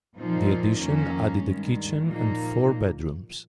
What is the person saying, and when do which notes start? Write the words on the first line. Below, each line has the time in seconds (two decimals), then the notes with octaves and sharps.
The addition added a kitchen and four bedrooms.
0.16 A#2 F3 C4 D#4
0.79 F2 D#3 A#3 C#4
1.42 G2 D#3 G#3
2.06 A#2 F3 A#3 D#4